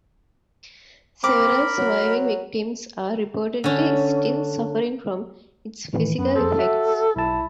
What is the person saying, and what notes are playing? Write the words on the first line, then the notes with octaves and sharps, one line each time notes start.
Several surviving victims are reportedly still suffering from its physical effects.
C4 A#4 B5 D6
F#3
D3 C#4
A2 D#3 E3
F#2 B3
F2 G#4 A4 C5
F#4 E5 F#5
B1 E4 A5